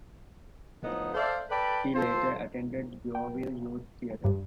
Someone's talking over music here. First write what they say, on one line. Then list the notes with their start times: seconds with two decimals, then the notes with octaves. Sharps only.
She later attended Yeovil Youth Theatre.
0.83 A2 D3 F3 B3 D#4 D#5
1.14 A4 C5 D5 E5 F5 A5
1.50 A4 B4 D5 G5 A5 B5
1.95 F4 A4 C5
3.15 G5
4.24 G2